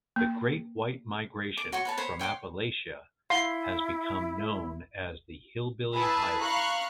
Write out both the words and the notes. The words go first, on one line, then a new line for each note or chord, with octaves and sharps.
The great white migration from Appalachia has become known as the Hillbilly Highway.
A#3
D6
F#4 C#5 C6 C#6
B4 C#5 A5
C5 C#5 B5
C#5 G5 C6 D6
E4 F5 C6
E4 G#4 B4 G#5 A5 B5
F5 A#5 B5 C#6 F#6